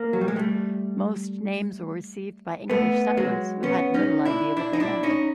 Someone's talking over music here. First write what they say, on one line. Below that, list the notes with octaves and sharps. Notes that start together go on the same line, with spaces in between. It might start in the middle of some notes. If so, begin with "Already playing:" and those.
Most names were received by English settlers who had little idea what they meant.
Already playing: A#3
F#3
G3
G#3
G3 A3
A3 B3
F#3 G#3
B3 C#4
C#4 D#4
D4 E4
D4 E4
D#4
D4 E4
C#4 D#4